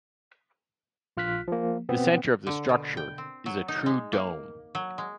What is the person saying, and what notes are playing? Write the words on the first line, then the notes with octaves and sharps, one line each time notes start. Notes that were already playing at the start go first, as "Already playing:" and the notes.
The center of the structure is a true dome.
A#1 F4 F6 F#6 B6
F3 A#3
B2 B3 C4
D3
B2
G5
C4
F#3
D#4
G#3
A#3
F#3
G#3